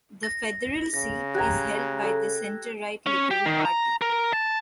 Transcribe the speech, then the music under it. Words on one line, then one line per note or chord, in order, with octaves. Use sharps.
The federal seat is held by the centre-right Liberal Party.
A#6
C#3 A#6
G4 A#5 F#6 G#6
A4
C#4
G4
D#3
A#5
A#4
A5